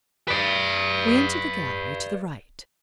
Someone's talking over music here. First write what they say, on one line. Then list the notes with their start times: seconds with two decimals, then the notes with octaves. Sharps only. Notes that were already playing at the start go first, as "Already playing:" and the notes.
We entered the gallery to the right.
0.28 B4 D5